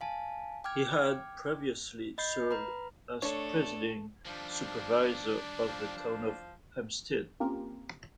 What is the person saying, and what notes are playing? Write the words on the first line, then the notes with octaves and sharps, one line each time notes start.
He had previously served as presiding supervisor of the town of Hempstead.
F5 G#5 A5
G5 D6 F6 G#6
D#5 B5 G6 C7
B4 A#5 B5
A3 D4 C#5
D#3 F3 G3 D4
F3
A#3 C4 C#4 F4 G4 A#4